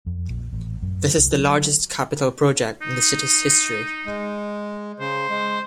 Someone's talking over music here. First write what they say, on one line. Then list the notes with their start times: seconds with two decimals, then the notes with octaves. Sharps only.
This is the largest capital project in the city's history.
0.06 F2
0.29 A#1
0.53 A1
0.82 F#2
1.18 C2
1.32 F#3
2.82 D#4
4.06 G#3
5.00 C#3 C5
5.29 G#3